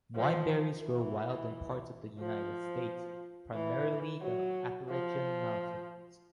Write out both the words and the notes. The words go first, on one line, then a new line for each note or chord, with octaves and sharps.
Wineberries grow wild in parts of the United States, primarily the Appalachian Mountains.
F3
E3
F3
E3
F#3
F3